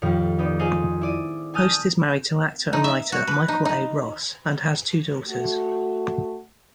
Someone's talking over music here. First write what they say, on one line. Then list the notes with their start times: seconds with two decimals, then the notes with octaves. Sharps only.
Post is married to actor and writer Michael A. Ross, and has two daughters.
0.02 F2 A2 D#3 F3 G3
0.39 B3 D#4 D5
0.59 C4 F4 G#4 D#5 G#5
1.01 E4 D5 D#7
1.54 G#5 A5 D#6 F6 G6
2.73 D#4
2.84 E5
3.12 F#4
3.27 B4
3.48 D#4
3.65 D#4
5.27 A3 F#4